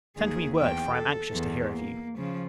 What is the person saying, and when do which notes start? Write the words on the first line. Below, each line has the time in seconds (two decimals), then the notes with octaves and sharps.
Send me word, for I am anxious to hear of you.
0.17 D#2 G#4
0.58 E2 G5
0.92 A4
1.34 E2
1.72 A#3
2.18 C#3 F3